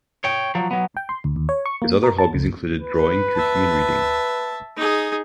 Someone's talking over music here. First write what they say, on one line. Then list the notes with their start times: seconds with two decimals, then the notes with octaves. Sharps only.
His other hobbies include drawing, cooking and reading.
0.24 C#5 G5
0.55 F3 F#3
0.71 F#3 B3
0.97 G5
1.09 C6
1.24 D2
1.36 D#2
1.49 C#5
1.66 C#6
1.82 A#3
2.04 A#4
2.18 A5
2.34 C#2
2.81 B4
3.35 E5 A5
4.77 D#4 G#4